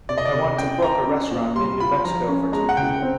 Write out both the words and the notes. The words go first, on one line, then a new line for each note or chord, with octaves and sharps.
I want to book a restaurant in New Mexico for two people.
C3 D5
D#5
D5
C3
C#4 G5
F4 A#5
C#4
A#2
G3 C6
F4 B5
F3 A#5
C#4
G#3 A#5
F#5
C#3 G5
C4